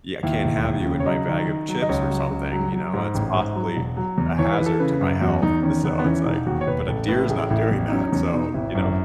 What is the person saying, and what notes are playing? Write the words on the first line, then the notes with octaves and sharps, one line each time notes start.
"Yeah, I can't have you in my bag of chips or something," you know? That's possibly a hazard to my health, so it's, like but a deer is not doing that, so, you know?
D#2 E4
E1
D#2
C#3
C#5
F#3 D#5
D#3
D#3
F#3
D#5
C#2 C#5
F#3
C#2
F#3
F#3
G#2
A1
G#2
F#3
E1
F#3
E2
E3 C#5
B4
E3
A4
C#3 B4
F#2
E2 F#4
E2 D#4
D#3 C#4
E2 B3
B3
E3 C#4
E1 D#4
D#2 F#4
C#5
E1 B4
A1 A4
A2 B4
A1 G#4
A1 E4
E2
D#4
F#3 C#4
D#4
E2 C#4
B2 D#4
G#1 E4
F#2